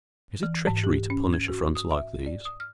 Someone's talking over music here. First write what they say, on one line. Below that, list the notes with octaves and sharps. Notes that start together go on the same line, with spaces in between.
Is it treachery to punish affronts like these?
E3
G#2
G4
C#4
G#6
F#4
D#6
E5
D5
D#6
F6